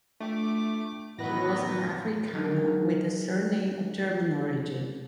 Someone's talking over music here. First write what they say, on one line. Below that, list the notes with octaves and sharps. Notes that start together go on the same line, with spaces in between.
He was an Afrikaner with a surname of German origin.
A3 D4 F4 G5 D6
A2 D#3 E3 F#3 B3 E4 B4 A#6
F#3 G#3 D#4 A#4